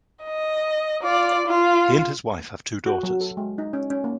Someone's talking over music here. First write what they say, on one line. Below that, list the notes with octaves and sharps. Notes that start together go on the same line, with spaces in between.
He and his wife have two daughters.
D#5
F4 D5
F4
F#4
F#3
A4
G#3
D#4
C#4
C#4
A#3